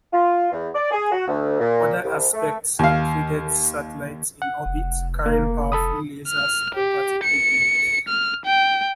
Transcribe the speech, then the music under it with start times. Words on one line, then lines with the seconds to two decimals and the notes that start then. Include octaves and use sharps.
Other aspects included satellites in orbit carrying powerful lasers or particle beams.
0.13 F4
0.51 E2
0.75 D5
0.91 G#4
1.12 F#4
1.28 D2
1.60 A#2
2.04 C2
2.33 A3
2.79 D#2 F5
4.42 F#5
4.66 F1
5.26 A#3
5.72 A4 B5 D#6
6.29 F6
6.75 G4
7.24 C#7
8.08 F6
8.46 G5